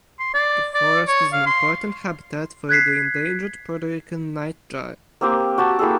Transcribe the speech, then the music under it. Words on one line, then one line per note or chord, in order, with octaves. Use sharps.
The forest is an important habitat for the endangered Puerto Rican nightjar.
C6
D5
D5
C#5
F5
C6
F#6 G#6 B6 C7
A#3 C4 G4
F#4 G4 A5
A#3 E4 G#4 A4